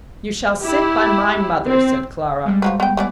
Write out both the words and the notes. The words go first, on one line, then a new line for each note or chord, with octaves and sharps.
"You shall sit by my mother," said Clara.
E4 G4
C4
G3 G#3
F3 F#3 B4
B3 G5
E3 B3 D5